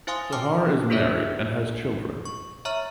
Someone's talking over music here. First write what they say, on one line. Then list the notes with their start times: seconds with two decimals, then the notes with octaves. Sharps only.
Sahar is married and has children.
0.07 E4 C5 F5 G#5 C6 D#6
0.33 G5 A5 D6 F6
0.90 D4 F4 G#4 A4 D5 E5
2.26 C#6
2.65 C#5 E5 A#5 C#6 F6